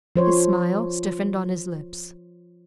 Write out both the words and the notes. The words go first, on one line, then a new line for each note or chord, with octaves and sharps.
His smile stiffened on his lips.
F3 C5 C#5